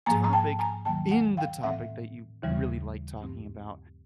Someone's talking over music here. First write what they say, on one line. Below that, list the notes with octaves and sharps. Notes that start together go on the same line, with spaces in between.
topic in the topic that you r really like talking about
G#2 F3 A#3 G#5 A#5
A#5
G5 A5
G#5 A#5
D#2 D#3 F#3 A#3 G5 A5
F#5 G#5
F5 G5
A2 E3 A3 C4 E5 F#5
D#2 C#3 E3 G3
G2 E3 A3 C4